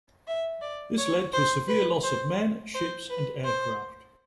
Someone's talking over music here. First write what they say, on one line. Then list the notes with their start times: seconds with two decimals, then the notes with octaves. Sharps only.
This led to a severe loss of men, ships, and aircraft.
0.27 E5
0.62 D5
0.98 C#5
1.33 C5
1.68 B4
2.03 C5
2.75 C5
3.10 B4
3.45 C5